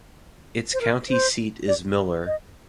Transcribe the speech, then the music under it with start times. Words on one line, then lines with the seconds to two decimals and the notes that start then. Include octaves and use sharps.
Its county seat is Miller.
0.73 C5
0.81 A#4
1.09 C5
1.68 D5
2.27 D#5